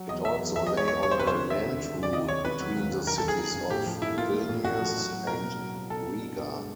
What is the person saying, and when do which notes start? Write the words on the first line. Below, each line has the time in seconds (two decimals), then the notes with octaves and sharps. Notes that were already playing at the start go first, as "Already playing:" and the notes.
It also lay on a land route between the cities of Vilnius and Riga.
Already playing: F#3
0.09 E2 D#5
0.24 F#3 E5
0.40 E2
0.56 E2 E5
0.67 D#5
0.71 E2
0.77 C#5
0.88 E2 C#5
1.03 E2 C#5
1.11 C5
1.18 F1 B4
1.27 C5
1.34 D3
1.50 D#2 E5
1.66 D3
1.81 D#2
1.97 F1
2.03 D5
2.13 D#2 D#5
2.28 D#2 C#5
2.45 E1 B4
2.60 F#3
2.76 D#2
2.92 E1
3.07 E1 A#4
3.18 A4
3.23 D#2
3.28 G#4
3.39 E1
3.55 E1
3.70 A2 G4
3.86 F3
4.02 A2 E4
4.17 A#3 F4
4.33 A#3
4.49 A2
4.64 A1 F#4
4.81 F3
4.96 F#3
5.12 F#3
5.27 B2 A#4
5.43 A#3
5.59 F#3
5.75 F#3
5.90 B2 A4
6.06 B2
6.21 G2
6.38 G2
6.53 G#3